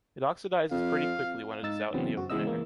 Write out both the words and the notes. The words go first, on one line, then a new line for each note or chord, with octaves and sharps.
It oxidizes pretty quickly when it is out in the open air.
F2 F5
G#2 D#4 E6 A6
C#3 E3 F#3 B3 C4
F#2 F#4
C#3 E3 G#3 B3 D#5 E6
E3 A#3